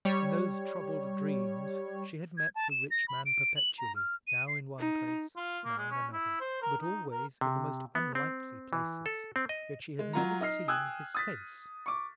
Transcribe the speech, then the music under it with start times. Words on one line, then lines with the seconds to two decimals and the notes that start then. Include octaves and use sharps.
In those troubled dreams she had met the rich man perpetually: now in one place, now in another: but always in the most unlikely places: yet she had never seen his face.
0.05 G3 C#5
2.38 G#6
2.55 A5
2.71 E7
2.91 A#6
3.08 B5
3.26 D7
3.56 F#7
3.78 A#5
3.96 F6
4.27 D#7
4.48 C7
4.80 D#4
5.36 F4
5.64 A#3
5.78 G#3
5.91 C#4
6.13 E4
6.41 C5
6.62 A#4
6.81 D#4
7.12 A#4
7.41 C3
7.95 B3
8.15 C4
8.73 E3
9.06 A4
9.36 C4
9.49 D#5
9.99 G#3
10.13 F#3 F4 A#5
10.41 D#4 D#5 F6 C7
10.68 G5 G#5 D#6 E6 F#6 G#6
11.15 D#6 A6 B6
11.86 C#6 D6